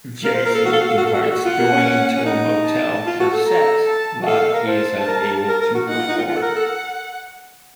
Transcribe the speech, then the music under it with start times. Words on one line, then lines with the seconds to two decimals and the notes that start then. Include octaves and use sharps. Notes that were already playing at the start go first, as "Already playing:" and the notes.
Jacy invites Duane to a motel for sex but he is unable to perform.
0.25 A#4 F5
0.35 C5
0.45 A#4
0.54 A4
0.65 F#4
0.73 A4
0.81 F#4
0.90 A4
0.98 F#4
1.06 A4
1.14 F#4
1.22 A4
1.31 F#4
1.45 F4 F#5
1.59 A#3
1.72 C#4
2.15 C#4
2.26 D#4
2.66 A5
3.06 F4
3.20 F#4
3.33 A4
3.47 A#5
3.87 A5
4.22 F#4
4.26 A4 F5
4.40 A4
4.54 A#4
4.67 C5 A5
5.07 A#4
5.48 A#4
5.61 A#4
5.75 F#4
5.88 D#4 F#5
5.98 F4
6.08 D#4
6.18 F4
6.28 F4 F#5
6.36 A4
6.42 A#4
6.56 A4